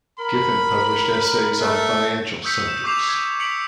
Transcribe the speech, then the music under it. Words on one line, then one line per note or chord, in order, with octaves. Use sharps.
Giffen published essays on financial subjects.
A#4 B5
A3
C#6 D#6 E6 G6 B6 C#7
E7
C#6 D6 G6 C7 E7 F7
D#6 G#6
D6 B6 C#7 D7 F#7